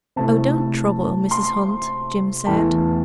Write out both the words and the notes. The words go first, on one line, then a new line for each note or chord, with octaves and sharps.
"Oh, don't trouble, Mrs. Hunt," Jim said.
C3 A3 E4 A5
C6
E2 E3 A3 A5